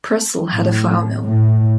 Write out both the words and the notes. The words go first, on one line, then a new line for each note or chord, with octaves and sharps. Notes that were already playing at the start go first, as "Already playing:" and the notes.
Purcell had a flour mill.
A2
A2